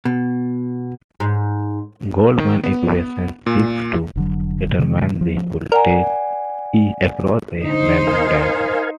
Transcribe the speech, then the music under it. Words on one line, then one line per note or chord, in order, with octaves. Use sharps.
Goldman's equation seeks to determine the voltage "E" across a membrane.
B2
G#2
D#3
B3
A#2
F1 D3 F#3
C3 D#3 G#3
F3
A#4 D5 F#5 G#5
D3 D#4 C5
A#4 F5 G#5